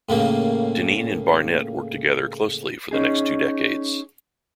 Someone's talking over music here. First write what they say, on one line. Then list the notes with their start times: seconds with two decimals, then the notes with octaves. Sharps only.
Deneen and Barnett worked together closely for the next two decades.
0.09 A2 C#3 A#3
2.91 C#4 D#4 G#4